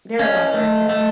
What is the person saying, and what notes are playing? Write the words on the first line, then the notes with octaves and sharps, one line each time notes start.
They're a lotta work though.
C#4 D#5
A3
A3